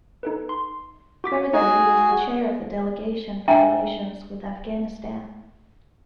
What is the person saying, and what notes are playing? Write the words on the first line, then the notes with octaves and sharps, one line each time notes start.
Further he was the chair of the Delegation for relations with Afghanistan.
D#4 A4 B4
C6
F#4 D6 B6
D#4 F#4 G#4 D#5 G#5
D4 E5 G5 G#5